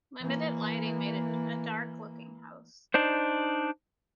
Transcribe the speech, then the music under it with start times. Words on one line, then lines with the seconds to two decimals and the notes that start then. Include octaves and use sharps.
Limited lighting made it a dark looking house.
0.20 E3 A#3
2.94 D4 D#4 C5